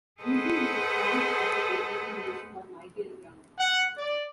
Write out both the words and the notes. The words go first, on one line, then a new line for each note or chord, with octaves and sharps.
Wilson was a strong advocate, using the vision of Michael Young.
G#4 A4 B4 C5 D#5 F#5
F#5
D5